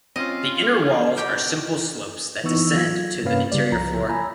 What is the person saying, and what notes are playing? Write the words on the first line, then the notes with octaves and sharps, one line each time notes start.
The inner walls are simple slopes that descend to the interior floor.
C4 C#4 F4 D#5
B2 G4 G5
E3 B3 D#4 C#6 E6
F#3 F4 G#6
G2 C3 A#3 C#4 B4 F5
C#3 G3 D5
C2 F3 A#5
G#5 A#5 B5